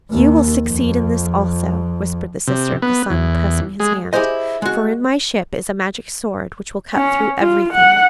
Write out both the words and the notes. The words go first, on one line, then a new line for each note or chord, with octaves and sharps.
'You will succeed in this also,' whispered the Sister of the Sun, pressing his hand, 'for in my ship is a magic sword which will cut through everything.
D#2
F2
C3
B3
E2
G#3
E4 G4 G#4 C5 D#5
G#3 F#4
C#4
F4
F#5